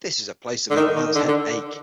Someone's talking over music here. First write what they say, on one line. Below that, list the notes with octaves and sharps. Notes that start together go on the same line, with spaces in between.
This is a place to make a man's head ache!
D3
D#3
D#3
D3
D3